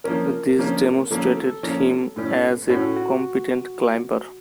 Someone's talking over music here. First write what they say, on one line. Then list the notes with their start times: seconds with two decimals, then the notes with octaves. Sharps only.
This demonstrated him as a competent climber.
0.04 F3 A#3 C#4 A#4
0.58 F3 A#3 C#4
1.10 F3 A#3 C#4 A4
1.37 A4
1.63 F3 A#3 C#4
2.16 A2 A3 C#4
2.69 A2 A3 C#4 F#4
2.96 F#4